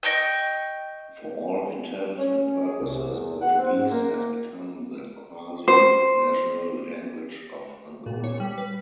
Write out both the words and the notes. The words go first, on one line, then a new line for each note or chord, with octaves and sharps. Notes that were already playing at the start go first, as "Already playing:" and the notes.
For all intents and purposes, Portuguese has become the quasi national language of Angola.
D#5 G5 C#6 G6
C#4
G#4
C2
E2
F#5
C4
G#2
A#3
C5
A#2
C#5
G3
B4